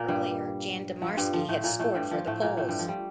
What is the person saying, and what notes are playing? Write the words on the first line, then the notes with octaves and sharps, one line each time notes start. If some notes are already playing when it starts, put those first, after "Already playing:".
Earlier, Jan Domarski had scored for the Poles.
Already playing: A#2 A#3
G2 G3
F3
G2 G3
F3
A2 A3
A#2 A#3
A2 A3
G2 G3
F3
A2 A3
A#2 A#3
A2 A3
G2 G3
F3
G3